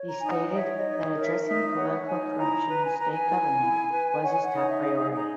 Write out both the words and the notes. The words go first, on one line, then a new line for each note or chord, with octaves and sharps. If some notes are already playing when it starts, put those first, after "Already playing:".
He stated that addressing political corruption in state government was his top priority.
Already playing: C#5
A#5
D#4 G#5
F#5
C#5 E5
D#5
D#4
C#5
A#4
E5
D#4 E5
E5
C#5 F#5
D#4 G#5
E4 A#5
B4
G#5
B4 A#5
G#5
E4
E4
B4
C#5 F#5
G#5
F#5
D#4
E5
G#4
D#4 A#5